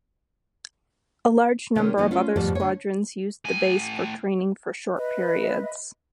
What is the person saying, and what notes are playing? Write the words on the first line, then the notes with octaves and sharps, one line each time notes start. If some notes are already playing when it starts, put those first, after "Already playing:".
A large number of other squadrons used the base for training for short periods.
C3 D#3 A#3 C#4
D#3 F#3 G#3 A3 B3 D#4
A3 C#4 F4
F2 G#2 B2 F3 G3 A3
D3 C#5
A2 G#5
B4 D#5 E5